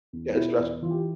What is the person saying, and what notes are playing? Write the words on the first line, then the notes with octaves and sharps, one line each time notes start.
Yeah, that's stress
E2
B2 E4
E2
E3 F4
G4